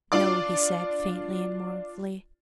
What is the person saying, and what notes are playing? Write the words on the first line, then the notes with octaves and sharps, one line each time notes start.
"No," he said, faintly and mournfully.
D4 F4 D5 D6